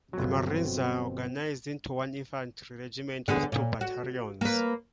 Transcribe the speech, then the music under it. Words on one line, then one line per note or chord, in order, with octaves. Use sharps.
The marines are organized into one infantry regiment with two battalions.
G1 B2 F#3 C4
D3 B3 G#4
A#2
F#4
A#3 B4